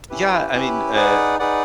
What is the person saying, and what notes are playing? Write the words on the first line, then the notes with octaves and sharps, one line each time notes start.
yeah, I mean, uh,
C#4 E4 G4 B4
C#4 E4 G4 B4
D#4 G#4 B4 D5 F#5
D#4 G#4 B4 D5 F#5